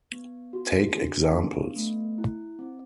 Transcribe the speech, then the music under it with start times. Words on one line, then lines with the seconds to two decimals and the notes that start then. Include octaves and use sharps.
Take examples.
0.12 B3
0.53 F#4
0.94 D4
1.36 B3
1.76 A3
2.18 E4
2.59 C4